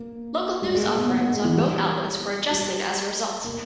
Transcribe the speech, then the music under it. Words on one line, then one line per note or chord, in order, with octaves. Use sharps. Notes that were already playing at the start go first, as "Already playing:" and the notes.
Local news offerings on both outlets were adjusted as a result.
Already playing: A#3
G3
G#3
A#3
B3
B3
B3
G#3
E3
G3
G3
A#3